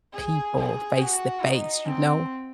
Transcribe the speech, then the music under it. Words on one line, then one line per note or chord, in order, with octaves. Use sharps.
people face to face, you know?
G#4
G#4
F#4
D#4
C4